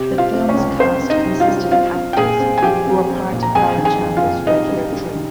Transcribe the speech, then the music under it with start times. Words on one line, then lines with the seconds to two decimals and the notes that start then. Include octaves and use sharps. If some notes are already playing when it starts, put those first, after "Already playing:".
The film's cast consisted of actors who were a part of Balachander's regular troupe.
Already playing: C3 G4 G5
0.11 C4
0.18 F4 F5
0.33 C4
0.49 C#4 C#5
0.57 C#2
0.79 C4 C5
1.02 C4
1.10 D#4 D#5
1.25 C3
1.40 F4 F5
1.48 G3
1.71 C4 F4 F5
1.94 C4
2.13 G5
2.17 A#2 G#4 G#5
2.40 C4
2.58 G#5
2.63 F3 G4 G5
2.86 C4
3.10 C4
3.33 A#2
3.43 A#5
3.55 F2 G#4 G#5
3.78 D#3
3.85 G#4 G#5
4.01 F2
4.17 F4 F5
4.24 F2
4.47 G3 D#4 D#5
4.70 G3
4.93 G3
5.15 D#3